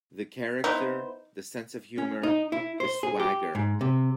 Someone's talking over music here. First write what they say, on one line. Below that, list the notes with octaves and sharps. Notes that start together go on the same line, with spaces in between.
The character, the sense of humour, the swagger.
B3 D#4 E4 C5
C#4
D#4
E4
C5
G#4
G4
G#2
C3